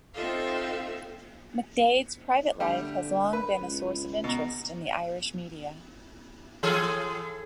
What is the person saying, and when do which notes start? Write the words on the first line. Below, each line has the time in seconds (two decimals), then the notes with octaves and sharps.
McDaid's private life has long been a source of interest in the Irish media.
0.13 C4 D#4 F4 A4 E5 F5
2.60 D3 G3 A3
3.33 B4
3.61 C#2
4.24 B2 A#5
6.63 E3 G#4 A4